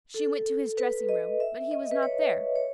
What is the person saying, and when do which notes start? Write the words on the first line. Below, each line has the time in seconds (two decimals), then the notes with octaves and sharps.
She went to his dressing-room, but he was not there.
0.14 A4
0.77 B4
1.09 D#5
1.40 E5
1.71 D#5
1.91 B4
2.03 C#5
2.56 C#5